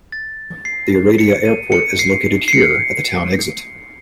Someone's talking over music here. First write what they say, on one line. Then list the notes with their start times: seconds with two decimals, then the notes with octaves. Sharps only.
The Oradea Airport is located here, at the town exit.
0.12 A6
0.65 C7
1.18 C#7
1.45 D#7
1.72 C#7
1.99 C7
2.48 C7
2.53 C#7